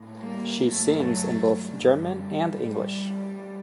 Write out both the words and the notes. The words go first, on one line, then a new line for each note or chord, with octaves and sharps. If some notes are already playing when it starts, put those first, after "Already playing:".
She sings in both German and English.
Already playing: A2
G3 A#3
G2 D#3 F#3 A3
F#3 A3
F#2 D3 G3
A2